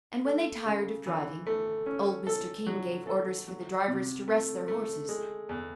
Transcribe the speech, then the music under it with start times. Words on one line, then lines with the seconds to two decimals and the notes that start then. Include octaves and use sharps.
And when they tired of driving, old Mr. King gave orders for the drivers to rest their horses.
0.25 A3
0.66 C#3
1.07 E3
1.47 A3
1.86 C#4
2.27 A4
2.67 F#3
3.07 A4
3.48 F#3
3.88 C3
4.28 A3
4.68 A3
5.09 G#3
5.49 E2